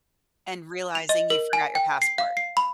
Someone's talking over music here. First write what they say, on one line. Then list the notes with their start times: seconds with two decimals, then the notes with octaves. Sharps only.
and realizing you forgot your passport."
0.95 F7
1.09 D#5
1.30 A#4
1.53 G#5
1.75 G5
2.02 C7
2.18 F5
2.37 C7
2.57 B5